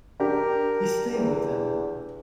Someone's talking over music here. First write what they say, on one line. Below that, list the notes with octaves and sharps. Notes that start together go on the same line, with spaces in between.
He stayed with them.
D4 G4 A#4
E2